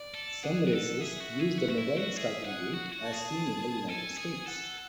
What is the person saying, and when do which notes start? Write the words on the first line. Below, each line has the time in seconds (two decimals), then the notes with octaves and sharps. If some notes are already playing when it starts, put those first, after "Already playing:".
Some races use the mobile starting gate as seen in the United States.
Already playing: D5
0.14 A4
0.43 G#4 F#5
0.67 G#4
0.72 A4
1.00 G#4 E5
1.20 F#4
1.40 G#4
1.58 F#4
1.70 F#4
1.78 E4
1.97 F#4
2.16 G#4 E5
2.45 G#4 F#5
2.74 F#4
2.93 F#4
3.02 A5
3.13 G#4
3.88 A4 G#5
4.17 G#4
4.47 A4 F#5